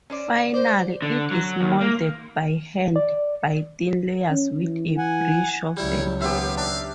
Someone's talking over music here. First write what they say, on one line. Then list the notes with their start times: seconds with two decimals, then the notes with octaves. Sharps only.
Finally, it is molded by hand by thin layers with a brie shovel.
0.10 C#4 C5 D5
0.54 C5 D5
1.02 D3
1.32 F#3
1.61 D#2
1.81 A#3
2.96 D5
4.30 C#4
4.62 E3
4.98 F#5 G#5
5.77 C#2 F#3 G3 E4 C#5
6.21 D#2 B3 G4 C5 E5 F5
6.57 D4 F5